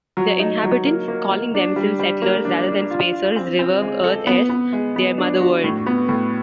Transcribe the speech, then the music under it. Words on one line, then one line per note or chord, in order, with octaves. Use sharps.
Their inhabitants, calling themselves "Settlers" rather than "Spacers", revere Earth as their mother-world.
F#3
D#4
F#3
A#3
A#3
A#3
D4
G3
G3
A#3
D4
D4
F4
F4
C4
C4
G#3
A4
B3
B3
G#3
B3
D4
F#4
A2
B3
A2